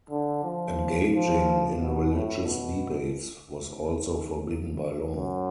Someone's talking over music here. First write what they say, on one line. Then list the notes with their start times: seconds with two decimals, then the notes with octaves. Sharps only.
Engaging in religious debates was also forbidden by law.
0.10 D3
0.44 F3
1.12 F3
1.80 B2
2.13 A2
2.46 B2
5.15 F#2